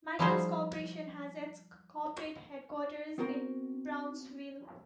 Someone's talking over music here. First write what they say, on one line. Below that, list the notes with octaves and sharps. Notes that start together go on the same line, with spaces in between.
Michels Corporation has its corporate headquarters in Brownsville.
F3 G3 D#4 E4 G#4 C5
B3 C4 F#4 A#4 C5